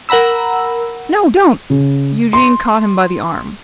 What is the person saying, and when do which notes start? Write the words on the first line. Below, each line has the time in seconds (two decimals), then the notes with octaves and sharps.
'No, don't!' Eugene caught him by the arm.
0.09 A#4 F#5 A#5 B5 E6
1.70 C#3
2.33 C6